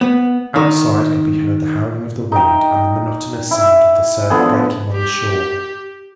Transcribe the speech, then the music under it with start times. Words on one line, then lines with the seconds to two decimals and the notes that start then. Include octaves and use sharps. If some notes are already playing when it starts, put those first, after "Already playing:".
Outside could be heard the howling of the wind and the monotonous sound of the surf breaking on the shore.
0.01 B3
0.56 D#3
2.32 D#4 G5
3.51 E4
4.30 D3 F3 B3 G#4
4.93 G4